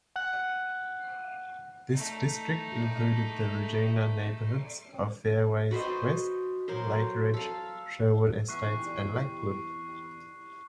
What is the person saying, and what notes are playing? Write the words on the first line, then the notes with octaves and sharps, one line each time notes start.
This district included the Regina neighbourhoods of Fairways West, Lakeridge, Sherwood Estates and Lakewood.
F#5 F#6
A3 D#4
F#4 B4 C5 D#5
F#3 A#4 C5
A4 F5
E2 E4 C#6 F#6 C7